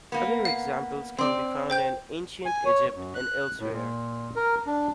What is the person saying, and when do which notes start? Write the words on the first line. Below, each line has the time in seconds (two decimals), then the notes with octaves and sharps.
Other examples can be found in Ancient Egypt and elsewhere.
0.12 A#3 B3
0.45 F5
1.18 C4 D5
1.70 C5 G5 G6
2.46 G#5
2.65 C#5
2.95 F#2
3.15 F#6
3.60 A2
3.73 A#2
4.36 A#4
4.67 D4